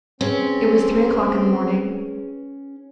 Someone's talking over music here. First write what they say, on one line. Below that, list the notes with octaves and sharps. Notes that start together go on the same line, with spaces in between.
It was three o'clock in the morning.
C4 C#4 G#4 B4